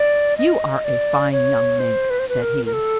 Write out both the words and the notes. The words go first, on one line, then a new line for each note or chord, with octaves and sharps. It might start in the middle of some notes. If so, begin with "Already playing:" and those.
"You are a fine young Mink," said he.
Already playing: D5
D#5
D5
C#5
C5
B4
C5
B4
A#4
A#4
A4